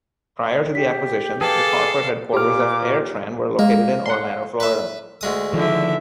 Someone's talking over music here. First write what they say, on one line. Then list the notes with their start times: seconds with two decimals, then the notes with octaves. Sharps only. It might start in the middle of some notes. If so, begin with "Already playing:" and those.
Prior to the acquisition, the corporate headquarters of AirTran were located in Orlando, Florida.
0.75 G4 B6
1.41 G#4 A4 B4 D5 F5 G5 A5
2.34 A#2 G4 D6 F6
3.59 G#3 A#3
4.06 F#5 C6
4.60 B4 E5
5.21 D2 G#3 D#6
5.53 D3 D#3 F3 E5